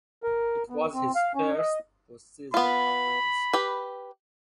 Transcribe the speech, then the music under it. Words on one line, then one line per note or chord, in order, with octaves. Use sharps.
It was his first postseason appearance.
A#4
B3
C4
F5
C#4
D#5
B3 F4 B5
G4 B4